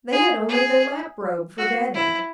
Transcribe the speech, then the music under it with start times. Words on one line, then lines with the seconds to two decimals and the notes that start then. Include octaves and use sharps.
They had only their lap-robe for bedding.
0.12 G#4
0.49 G#4
1.58 F#4
1.95 E4